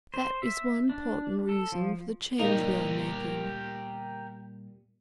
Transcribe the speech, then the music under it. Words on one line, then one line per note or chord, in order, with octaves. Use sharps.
That is one portent reason for the change we are making.
C5
E5
D4
A4
F3
A#2 G3 A#3 D#4 G4 A#4